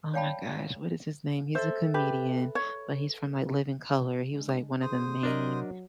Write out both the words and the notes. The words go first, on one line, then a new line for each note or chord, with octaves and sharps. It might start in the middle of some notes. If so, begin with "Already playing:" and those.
oh, my gosh, what is his name? He's a comedian, but he's from, like, Living Color. He was, like, one of the main
C#5 D5 F5 G5 A5 B5
A4 C5 E5
G4 B4
C#5
G#3 D4
F#2 D3 G#4 C5 D#6
F#3 D4 A#4 D#5